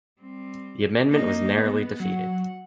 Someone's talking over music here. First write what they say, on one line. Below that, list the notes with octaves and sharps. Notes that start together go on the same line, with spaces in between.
The amendment was narrowly defeated.
G3 C4
A#3 D#4
B3
F#3 F#5